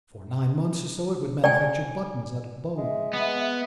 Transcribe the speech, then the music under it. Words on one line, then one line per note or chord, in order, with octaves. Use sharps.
For nine months or so it would manufacture buttons out of bone.
D5 G5 G#5
G#3 E5
B3